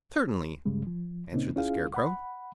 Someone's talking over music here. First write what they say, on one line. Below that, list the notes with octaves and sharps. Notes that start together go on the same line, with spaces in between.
"Certainly," answered the Scarecrow.
G2 C#3 G3 G#3
F3
A#2 C#3 A#3 C4 C#4 D#4
C#4 E4 F4 G#4 F5
F#5 B5